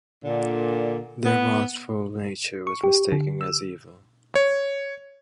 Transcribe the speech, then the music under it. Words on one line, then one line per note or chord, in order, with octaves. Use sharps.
Their wrathful nature was mistaken as evil.
A#2 D3
B3
C#6
G4
D3
E6
C#5